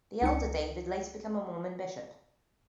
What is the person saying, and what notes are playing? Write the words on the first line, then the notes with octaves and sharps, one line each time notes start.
The elder David later became a Mormon bishop.
C#2 D#4 C#7